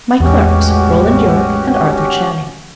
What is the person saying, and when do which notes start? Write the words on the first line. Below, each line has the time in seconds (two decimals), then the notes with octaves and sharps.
"My clerks--Roland Yorke and Arthur Channing."
0.20 A1 E2 G#3 C#4 F#4 G4